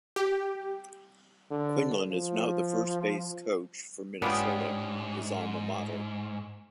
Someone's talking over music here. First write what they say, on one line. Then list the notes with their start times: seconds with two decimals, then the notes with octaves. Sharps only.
Quinlan is now the first base coach for Minnesota, his alma mater.
0.16 G4
1.51 D3
2.12 F3
4.22 G#2 B3 C#4 D4 F4 G4 G#4